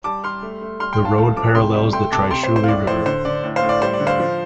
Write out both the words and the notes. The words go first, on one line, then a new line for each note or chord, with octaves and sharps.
The road parallels the Trishuli River.
G3 A5 D6
G3 C6 F6
A3
A3
G3 C6 F6
G5 C6
A2
F5 A5
A3 F5 A5
F3 A5 D6
C3 G5 C6
G3
A3 G5 C6
C3 A5 D6
C3 G5 C6
C5
A3
C5
F5
A2 D5
A2 C5
D3 C5
D3 D5
A2
C5 F5
A2
D5
G3 C5
D5
D3
C5 F5
F3